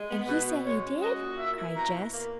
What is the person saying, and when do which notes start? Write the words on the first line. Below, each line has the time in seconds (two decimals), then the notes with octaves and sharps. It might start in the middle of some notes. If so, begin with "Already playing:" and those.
"And he said he did!" cried Jess.
Already playing: G#3
0.10 B3
0.28 B2 B4
0.47 B2
0.65 G#3 C#5
0.84 C#4
1.02 F#4 D#5
1.21 A#2
1.39 A#3 E5
1.58 E4
1.76 B2 A#5
1.94 B2
2.13 A#3